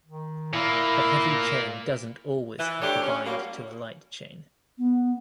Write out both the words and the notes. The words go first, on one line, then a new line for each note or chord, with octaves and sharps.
The heavy chain doesn't always have to bind to a light chain.
D#3
A#2 A#3 E4
E3
D2 D4 G4 A4 C#5
C#4
A2 F#3 G3 A#3
B3